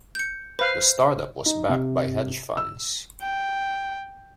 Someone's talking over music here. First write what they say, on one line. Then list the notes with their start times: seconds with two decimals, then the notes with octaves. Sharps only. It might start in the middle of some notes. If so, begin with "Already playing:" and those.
The startup was backed by hedge funds.
0.15 G6 C#7
0.59 B4 C5 F5
1.46 D#4
1.69 C3
2.57 E6
3.21 G5